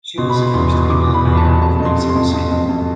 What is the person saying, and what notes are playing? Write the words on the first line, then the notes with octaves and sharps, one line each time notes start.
She was the first female Mayor of Mexico City.
B2 C6
B5
B2
C6
E2 C6
B2
E2 D6
E2
B5
E2
A5
B2
F2 A5
F2
C6
C3
C6
F2
F2
F2
F2